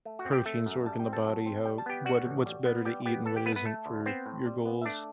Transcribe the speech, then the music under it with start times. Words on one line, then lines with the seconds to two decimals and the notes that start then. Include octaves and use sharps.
proteins work in the body, how what what's better to eat and what isn't for your goals,
0.05 A3
0.19 F#4 F#5
0.25 C4
0.33 G4 G5
0.46 A3 A4 A5
0.66 F#2
0.86 G3 A5
1.00 G5
1.06 C4
1.13 A4 A5
1.26 F#3
1.46 C4
1.65 G3 G5
1.78 A5
1.86 B3 G4 G5
2.05 G3 F#4 F#5
2.26 A1
2.46 G3
2.65 B3
2.85 G3 G4 G5
3.06 B3 G4 G5
3.26 E3 A4 A5
3.36 G4 G5
3.46 A3 B3 B4
3.56 B3 B4
3.66 A3 A4
3.86 D2
4.06 B3 C4 C5
4.26 A2
4.46 G3
4.66 B3
4.81 E5
4.85 A3 D4 D5